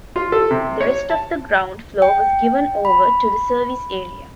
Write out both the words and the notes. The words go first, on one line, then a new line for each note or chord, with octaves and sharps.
The rest of the ground floor was given over to the service areas.
F4
A4
C3
C#5
A5
G5
B5